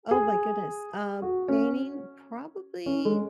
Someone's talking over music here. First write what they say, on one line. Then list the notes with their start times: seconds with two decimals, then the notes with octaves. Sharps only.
Oh my goodness, um, painting probably
0.11 G#4
1.22 F#4
1.48 C#4
2.86 C#4
3.05 G#3